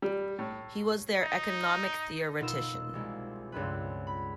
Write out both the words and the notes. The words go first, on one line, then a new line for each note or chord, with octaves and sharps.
He was their economic theoretician.
G3
A2
D#4
B2 D#4 F4 A#4 E6 E7
C2 G#3 A#3
C#2 G2 G#3 C4 B4
B5